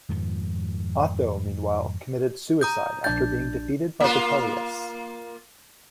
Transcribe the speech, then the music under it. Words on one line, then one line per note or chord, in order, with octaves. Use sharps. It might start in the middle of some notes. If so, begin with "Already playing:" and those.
Otho meanwhile committed suicide after being defeated by Vitellius.
F2 G#2 D#3 F3
A#5 D#6 G6
A#1 D4 G6 A6
A#3 F4